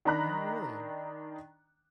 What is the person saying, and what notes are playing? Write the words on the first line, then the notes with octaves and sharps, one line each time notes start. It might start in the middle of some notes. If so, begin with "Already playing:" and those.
Oh, really?
D#3 D4 D#4 A#5 B5 F#6